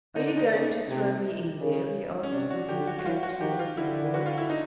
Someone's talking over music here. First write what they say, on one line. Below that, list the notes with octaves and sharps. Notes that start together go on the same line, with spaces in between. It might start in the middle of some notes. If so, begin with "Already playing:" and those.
"Are you going to throw me in there?" he asked of the Zulu captain in a thick voice.
D3 D#4
D4
D#4
C#3
C3
C#3
C#4
C3 D4
F#4
D3 G4
F#4
F#4
E3 F4
F#4
D#3 G4
F4
D3 E4
F#4
F4
E4
D#4